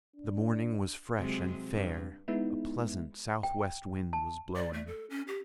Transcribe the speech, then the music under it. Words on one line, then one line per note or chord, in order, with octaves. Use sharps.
The morning was fresh and fair; a pleasant southwest wind was blowing.
D4
C3 F#3 G#3
G2
G#3 B3 D#4 E4
G5
A5
D5
A3
A4
C#4
G4